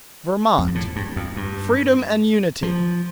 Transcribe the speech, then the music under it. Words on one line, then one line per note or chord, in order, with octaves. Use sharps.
Vermont--Freedom and Unity.
F2
G2
A2
G2
F2
G2
F3